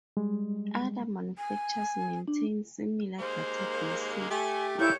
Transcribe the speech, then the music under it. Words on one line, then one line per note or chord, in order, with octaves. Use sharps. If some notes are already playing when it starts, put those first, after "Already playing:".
Other manufacturers maintain similar databases.
G3 G#3
G#5
D4
D#2 G#3 A#3 C5
A3 G4 G#5
A#2 A3 E4 C#5 G6